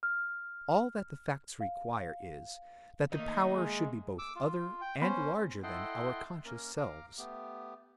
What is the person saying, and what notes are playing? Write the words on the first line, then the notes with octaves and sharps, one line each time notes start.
All that the facts require is that the power should be both other and larger than our conscious selves.
F6
F5
D#3 A3 A#3 D#4
G#3
D6 E6
F4
G5
B3 C#4 C5 B5
E4 A4 D#5 F#5 G5 C6
A#3 C#4 A#4
F5 A#5 D6
A3 B3 G4